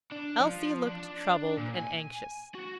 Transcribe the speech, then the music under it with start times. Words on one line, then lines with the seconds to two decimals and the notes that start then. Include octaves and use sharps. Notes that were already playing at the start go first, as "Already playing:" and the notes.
Elsie looked troubled and anxious.
0.12 D4
0.40 F3
0.87 D4
1.58 A#2
1.76 G#5
2.55 F#4